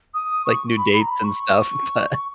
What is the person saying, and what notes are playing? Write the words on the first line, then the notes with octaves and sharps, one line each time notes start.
like, new dates and stuff, but
D#6
C#6
C#6
B5
B5
A#5
B5
C#6
C#6